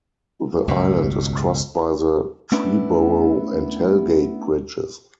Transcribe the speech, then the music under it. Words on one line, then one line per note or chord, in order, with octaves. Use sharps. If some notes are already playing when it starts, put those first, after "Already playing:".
The island is crossed by the Triborough and Hell Gate bridges.
C#2 G2 B2
A3 B3 C#4 D4 E4 B4